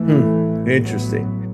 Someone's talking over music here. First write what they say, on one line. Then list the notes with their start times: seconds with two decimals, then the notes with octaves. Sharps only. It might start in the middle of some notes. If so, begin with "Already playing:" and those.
Hmm. Interesting.
Already playing: A1 A2 E3 A3
0.83 F#3 B3